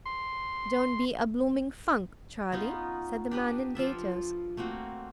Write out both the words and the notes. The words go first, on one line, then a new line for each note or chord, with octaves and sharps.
"Don't be a bloomin' funk, Charlie," said the man in gaiters.
C6
B3 C#4 D#4 F4
D4 G4 B4 D#5
F3 F4 A4 E5
A3 A#3 C4 F#4